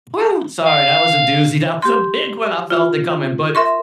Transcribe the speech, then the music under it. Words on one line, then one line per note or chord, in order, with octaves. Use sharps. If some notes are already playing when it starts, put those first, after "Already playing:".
Whoo! Sorry, that was a doozy. That was a big one! I felt it coming. But
F5
G4 C6
F4
A#4 E5 C6 C#6